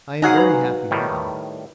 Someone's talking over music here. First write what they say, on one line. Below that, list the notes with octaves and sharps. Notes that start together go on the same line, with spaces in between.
I am very happy now.
G#2 F#3 D#4 F#4 G#4 F5 F#5 A#5
B4 G#5
A2 D#3 G3